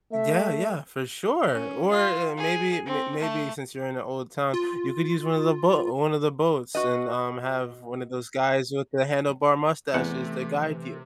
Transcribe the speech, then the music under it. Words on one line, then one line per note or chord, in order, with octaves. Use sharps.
Yeah, yeah, for sure. Or, eh, maybe may maybe since you're in an old town, you could use one of the bo one of the boats and, um, have one of those guys with the handlebar mustaches to guide you.
A3 E5
C#4
F4
G#4
C4
A3 A5
F4
F#4 B4 D#5
E2 C3 E3 A3 F#5